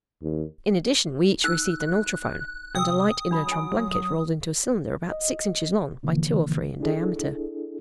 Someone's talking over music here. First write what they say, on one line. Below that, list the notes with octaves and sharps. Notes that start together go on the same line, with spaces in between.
In addition, we each received an ultrophone, and a light inertron blanket rolled into a cylinder about six inches long by two or three in diameter.
D#2
D#4 E6 F#6
C3 G5 D#6 E6
F#3 D4 B5
G#5
D#5
B2 D3 E3 F3 A#3
D4 E4 G#4 A4